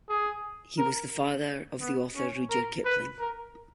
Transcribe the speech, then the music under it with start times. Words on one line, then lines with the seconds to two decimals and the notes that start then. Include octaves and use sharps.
He was the father of the author Rudyard Kipling.
0.09 G#4
0.78 A#4
1.81 B3
2.16 C#4
2.50 A#4
2.85 B4
3.19 A#4